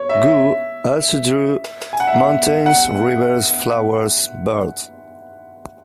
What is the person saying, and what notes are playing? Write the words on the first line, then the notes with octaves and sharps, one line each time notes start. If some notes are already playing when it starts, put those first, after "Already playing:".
Wu also drew mountains, rivers, flowers, birds.
Already playing: C#5
E5
G#5
F#5
E5
F#5
F#5